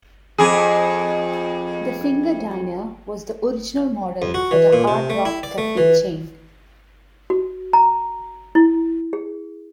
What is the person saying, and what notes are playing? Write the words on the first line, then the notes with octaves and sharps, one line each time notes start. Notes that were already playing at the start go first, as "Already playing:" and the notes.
The Finger Diner was the original model for the Hard Rock Cafe chain.
F2 G#4
F2
F#4
E3
A#2
C3
A3
E4
D5
A3
E3
F#4
A#5
E4
G#4